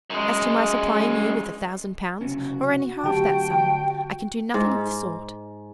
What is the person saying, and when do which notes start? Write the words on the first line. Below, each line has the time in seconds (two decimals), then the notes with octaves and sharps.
As to my supplying you with a thousand pounds, or only half that sum, I can do nothing of the sort.
0.10 F#2 G#3
2.21 F#1 C3 C#4 F#4
3.04 D3 F#3 A3 G4 G5 A5
4.54 G#2